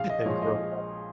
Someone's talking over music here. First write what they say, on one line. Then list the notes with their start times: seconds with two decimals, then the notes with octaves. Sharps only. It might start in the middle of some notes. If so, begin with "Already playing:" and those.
in growing up.
Already playing: A#1 F5
0.09 D#5
0.25 A#2 F3 G#3 C#5
0.42 D#5